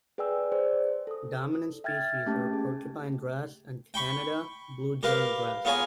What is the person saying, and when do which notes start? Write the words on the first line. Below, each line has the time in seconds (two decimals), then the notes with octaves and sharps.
Dominant species are porcupine grass and Canada blue-joint grass.
0.18 G#4 B4 D5 G5 G#5 E6
0.52 G#4 C5 D5
1.07 A4 D#6
1.84 E5 G5 F6 G#6 A6
2.26 A3 A#3 C#4 G4 G5 A5
2.53 G#4
3.94 G5 B5 C#6
5.03 G4 A#4 B4 F5
5.65 B3 F4 G#4 C#5 G#5 A#5